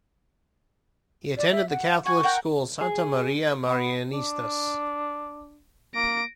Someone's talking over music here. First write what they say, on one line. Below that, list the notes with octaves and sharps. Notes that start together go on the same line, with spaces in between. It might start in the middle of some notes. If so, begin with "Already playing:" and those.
He attended the Catholic school Santa Maria Marianistas.
D5
E5
F#5
F#4 G#5 C#6
A#4 F#5 G5
G#4
B3
D4
A#3 A#6 D7